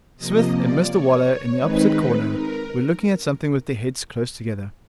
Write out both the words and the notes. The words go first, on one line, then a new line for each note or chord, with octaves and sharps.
Psmith and Mr Waller, in the opposite corner, were looking at something with their heads close together.
C3 F3 A#3 D#5
D5
C#5
D#3 G#3 C4 D#4 B4
A#4